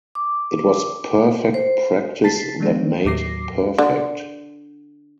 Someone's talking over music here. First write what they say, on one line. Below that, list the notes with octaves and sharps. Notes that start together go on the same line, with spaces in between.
It was perfect practice that made perfect.
D6
C5
A5 A6 B6 C7
F3 G#3 B3 D4
D#2 A2 F#3 D6 A#6 C7
D3